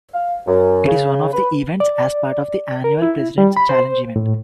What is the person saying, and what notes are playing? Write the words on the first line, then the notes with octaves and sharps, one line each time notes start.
It is one of the events as part of the annual President's Challenge event.
F5
F#2
C#3
B4
D5
A#4
E4
G3
B5
C5
A2